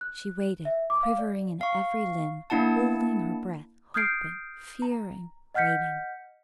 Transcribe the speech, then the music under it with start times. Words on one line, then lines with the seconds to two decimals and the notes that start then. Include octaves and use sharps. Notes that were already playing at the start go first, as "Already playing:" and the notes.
She waited, quivering in every limb, holding her breath--hoping, fearing, waiting.
0.01 F#6
0.65 E5
0.90 D6
1.03 F5
1.19 D5
1.61 F5 C#6
2.50 A#3 D4 E4 F#5 A5
3.94 D#6 F6 G6 G#6 C7 D7
4.82 A#5
5.54 D#5 F#5 F6 G6 B6 C#7